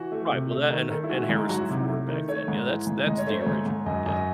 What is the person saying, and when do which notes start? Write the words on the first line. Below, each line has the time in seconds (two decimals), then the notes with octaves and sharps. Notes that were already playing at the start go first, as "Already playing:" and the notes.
Right, well, that and Ha and Harrison Ford back then. Yeah, that's that's the original, yeah,
Already playing: E3 F#4
0.12 A3
0.31 C3
0.51 A3
0.70 D#3
0.90 D#3 A4
1.04 E4
1.10 G#3 F#4
1.23 E4
1.29 G#2
1.37 D#4
1.49 F#3 F#4
1.61 E4
1.70 C3 D#4
1.82 E4
1.89 A3
2.09 D#3
2.28 A3 C#5
2.48 G#2
2.67 E3
2.87 G#2
3.07 G#2 D#5
3.18 C#5
3.27 A3 C5
3.41 C#5
3.47 G#2
3.66 G#2
3.86 F#2 D#5
4.06 F#2 D#5